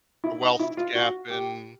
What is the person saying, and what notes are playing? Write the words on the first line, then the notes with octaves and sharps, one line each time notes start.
a wealth gap in
E4
D#4
E4
F4
F#4
G4